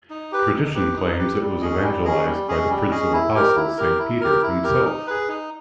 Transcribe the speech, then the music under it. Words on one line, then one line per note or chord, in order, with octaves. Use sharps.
Tradition claims it was evangelized by the Prince of Apostles Saint Peter himself.
D#4
G4 B4
D#4
G4 B4
D#4
G4 B4
G3
C#4 G#4 D#5
G3
C#4 G#4 D#5
G3
C#4 G#4 D#5
G3
C#4 G#4 D#5
E4
G4 A#4
E4
G4 A#4
E4
G4 A#4
E4
G4 A#4
D#4
G#4 B4
D#4